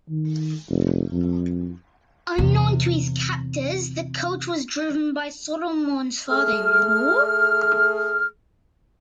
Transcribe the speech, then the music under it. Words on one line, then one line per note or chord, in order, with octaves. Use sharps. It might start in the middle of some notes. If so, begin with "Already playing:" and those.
Unknown to his captors, the coach was driven by Solomon's father-in-law.
D#3
F1
F2
E2 C3
A3 G#4 F6